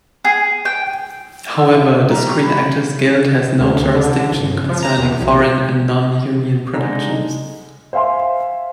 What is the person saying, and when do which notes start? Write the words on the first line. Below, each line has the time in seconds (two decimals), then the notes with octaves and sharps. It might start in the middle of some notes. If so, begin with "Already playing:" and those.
However, the Screen Actors Guild has no jurisdiction concerning foreign and non-union productions.
0.25 G#4
0.65 G5
1.56 E6
1.72 E5
2.09 G3 A#5
2.42 B5
3.60 D2
3.95 D3
4.31 G1
4.69 F3
4.83 A#5
4.98 E2
5.20 B1
6.74 D3 G#3 D#4
7.93 C5 E5 F5 G#5 C6